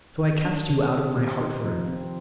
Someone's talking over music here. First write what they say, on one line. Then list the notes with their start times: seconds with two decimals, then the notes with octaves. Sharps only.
So I cast you out of my heart for ever.
0.21 D#3
0.45 D4
0.69 C3
0.93 C4
1.17 C4
1.41 D#4
1.65 F3
1.87 C4